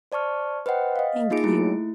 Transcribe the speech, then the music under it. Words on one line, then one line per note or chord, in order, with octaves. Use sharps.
thank you.
C5 D5 A5 C#6 F6
B4 C5 D#5 F#5 G5
D#5 F5
A#3 D#4 F4 G#4 D7
A3 E4